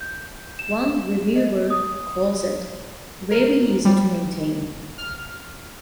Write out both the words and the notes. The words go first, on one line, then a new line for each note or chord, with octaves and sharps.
One reviewer calls it "very easy to maintain".
G6
E7
D#5
D#6
A#4
G3
F6